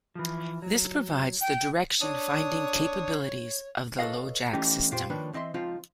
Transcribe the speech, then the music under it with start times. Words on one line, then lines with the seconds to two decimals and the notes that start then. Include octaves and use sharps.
This provides the direction finding capabilities of the LoJack system.
0.15 E3 F3
0.62 F#3
1.41 G5
2.01 D4 C#5 D#6
3.99 A4 B4 C#5 D#5 F5
4.53 E3 A3 C#4 D#4 G4
4.91 F2 A#2 F4 G4 C5
5.10 D#3 F3 A#3 D4 B4 C#5
5.33 E3 C4 D#5 E5 C6
5.54 C#2 F3 C4 D#4 F4 F5